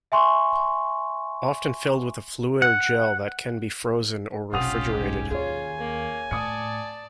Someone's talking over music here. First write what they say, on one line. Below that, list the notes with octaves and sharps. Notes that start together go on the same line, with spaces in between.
Often filled with a fluid or gel that can be frozen or refrigerated.
E5 G#5 C6 C#6
F#5
F1 B1 C#4 F4 G4 F#5 D#6 F7
G#2 G#5
D#2 F4 G#4 C#5
A#3
A2 D5 A5 D#6 C#7